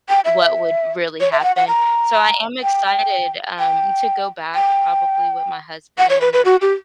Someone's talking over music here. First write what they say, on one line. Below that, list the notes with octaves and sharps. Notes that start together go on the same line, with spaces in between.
what would really happen, so I am excited, um, to go back probably with my husband or
G5
E5
C#5
E5
G5
F#5
F#5
A#5
G5
G5
G5
F#5
C#5
B4
B4
F#4
G4